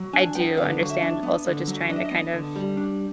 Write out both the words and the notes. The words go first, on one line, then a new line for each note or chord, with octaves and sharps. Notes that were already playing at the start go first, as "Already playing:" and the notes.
I do understand also just trying to kind of
Already playing: F#3
D4 G#5
B3 G5
D3 F5
F#3
E5
D4
B3
D3
F#3
D4 D#5
E5
D#5
B3
D3
G3
D4